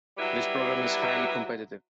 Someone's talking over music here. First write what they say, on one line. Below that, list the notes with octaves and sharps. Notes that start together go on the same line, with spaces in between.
This program is highly competitive.
F#3 G3 E4 B4